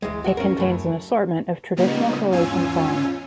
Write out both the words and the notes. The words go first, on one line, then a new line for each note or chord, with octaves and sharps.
It contains an assortment of traditional Croatian songs.
G1 D2 E3 G#3
F#4 E5
G2 C#4 A#4 C#6
F#2 E3 F#3 A3 B5
A#2 C#3 G3 A#3 B3 D#4
E2 G#2 C#4 F4 G#5 E6